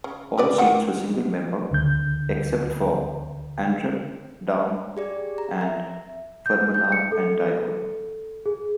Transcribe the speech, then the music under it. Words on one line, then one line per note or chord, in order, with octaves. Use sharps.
All seats were single member, except for Antrim, Down and Fermanagh & Tyrone.
C#3
G4 B4 D5
D#3 F#5 G5
D2 D3 G6
G4 G#4 D5
A#5
E5
G6
G6
C#7
A4
G#4